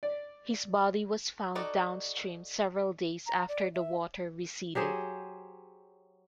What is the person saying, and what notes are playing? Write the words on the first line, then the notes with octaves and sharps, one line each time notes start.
His body was found downstream several days after the water receded.
D5
D#4 F#4 A4 D5
A#5
D5
E5
F#3 G4 G#4 C5